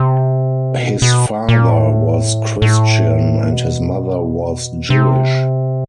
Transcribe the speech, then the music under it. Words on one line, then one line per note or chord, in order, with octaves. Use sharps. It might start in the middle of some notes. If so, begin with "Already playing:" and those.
His father was Christian and his mother was Jewish.
Already playing: C3
B2
B2
A#2
A2
A2
B2
C3